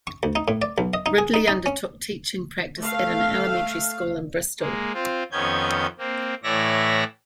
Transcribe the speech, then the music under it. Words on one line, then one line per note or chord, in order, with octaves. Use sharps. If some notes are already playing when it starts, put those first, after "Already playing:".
Ridley undertook teaching practice at an Elementary School in Bristol.
C#6
D2
D#4
A2
D5
B1
D#5
D#4
G#4
D#4
D#4
C#4
A3 F5
G#3 A#3
C4 F4
F2 D#3 B3 C#4 G6 G#6
A#3 C4
A2 E3 C#5 D5 E5 A#6